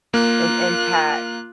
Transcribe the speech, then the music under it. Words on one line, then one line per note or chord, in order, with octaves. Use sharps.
an impact
A#3 F4 F#6